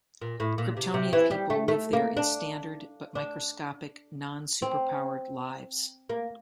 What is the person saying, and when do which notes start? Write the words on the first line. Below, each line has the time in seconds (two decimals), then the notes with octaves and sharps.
Kryptonian people live there in standard but microscopic, non-superpowered lives.
0.22 A#2
0.40 A2
0.58 A#2
0.77 C3
0.94 C3
1.13 E3
1.31 G3
1.50 A3
1.68 A3
1.93 A#3
2.17 D4
3.15 D4
4.62 C4
6.09 A#3